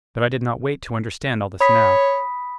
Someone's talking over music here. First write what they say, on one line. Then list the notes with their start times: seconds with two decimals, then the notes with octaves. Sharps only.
But I did not wait to understand all this now.
1.61 C#5 B5 D#6 B6